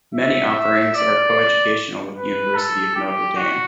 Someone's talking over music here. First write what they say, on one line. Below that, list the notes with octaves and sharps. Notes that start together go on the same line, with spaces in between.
Many offerings are coeducational with the University of Notre Dame.
E5
D5
B4
A4
G4
F#4